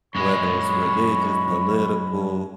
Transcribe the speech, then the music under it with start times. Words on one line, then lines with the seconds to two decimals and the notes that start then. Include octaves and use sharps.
whether it's religious, political,
0.15 F#2 G#3 B5 C#6